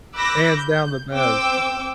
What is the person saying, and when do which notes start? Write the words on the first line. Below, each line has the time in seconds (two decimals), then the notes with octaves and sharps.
hands-down the best!
0.15 B5 D6 E6 F#6 G6 A#6
0.54 G6
1.12 C4 G5 D6 E6